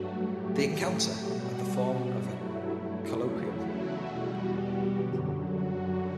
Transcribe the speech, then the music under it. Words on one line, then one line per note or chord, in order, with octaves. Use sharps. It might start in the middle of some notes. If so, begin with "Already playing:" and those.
The encounter had the form of a colloquium.
Already playing: G2 F#3 A3 F#4
A2 F#3 A3 G4
B2 G3 F#4
G2 F#3 A3 E4
E2 C#3 F#3 A3 E4
F#4
E2 B2 G3 F#4
G4
F#2 D3 F#3
F#4